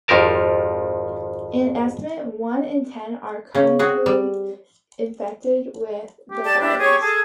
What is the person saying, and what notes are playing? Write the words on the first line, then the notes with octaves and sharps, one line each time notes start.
An estimated one in ten are chronically infected with the virus.
G#1 F2 F3 G4 A#4 A5
C#3 C#4
C4 F#4 G#4
G3
G4
D5 A5
D4 E4
G#4 C#5 C#6
G#4 A4